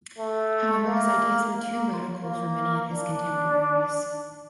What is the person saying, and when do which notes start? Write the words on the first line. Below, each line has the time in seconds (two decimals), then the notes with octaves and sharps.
However his ideas were too radical for many of his contemporaries.
0.18 A3
0.86 A#3
1.54 A#3
2.23 A#3
2.92 D4